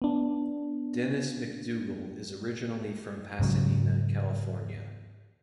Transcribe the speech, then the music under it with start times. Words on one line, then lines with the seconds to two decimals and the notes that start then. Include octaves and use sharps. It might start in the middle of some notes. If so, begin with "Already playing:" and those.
Dennis McDougal is originally from Pasadena, California.
0.02 B3 D4
3.40 G#2 C#3 F#3